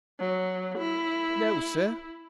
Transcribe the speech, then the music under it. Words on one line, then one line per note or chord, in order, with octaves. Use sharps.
"No, sir."
F#3
E4